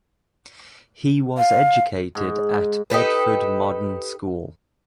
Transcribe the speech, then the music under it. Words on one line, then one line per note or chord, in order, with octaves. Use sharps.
He was educated at Bedford Modern School.
F5
G#2
D#4 G4 A4 B4